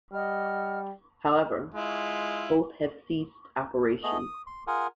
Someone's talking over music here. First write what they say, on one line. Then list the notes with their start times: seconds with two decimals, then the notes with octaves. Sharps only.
However, both have ceased operation.
0.12 G3 D#5 F#5 F6
1.74 G#3 E4 F4
4.03 A3 B3 G#4 D#5
4.18 D#6
4.47 C6
4.67 F4 G#4 A#4 F#5 G#5